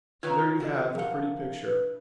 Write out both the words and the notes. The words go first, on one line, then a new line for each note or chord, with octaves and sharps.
So there you have the pretty picture.
D#3 F4 B4 C#5 A#5 G#6
E3 D4 F#4 A4 D#5
F3 G#4 A#4 F5 F#5
B4